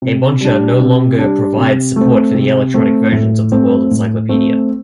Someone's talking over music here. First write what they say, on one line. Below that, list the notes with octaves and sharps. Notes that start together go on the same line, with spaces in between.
Heibonsha no longer provides support for electronic versions of the "World Encyclopedia".
C3
G3 D4
C3
G3 D4
C3
A3 C4
C3
A3 C4
A2
A3 C4
A2
A3 C4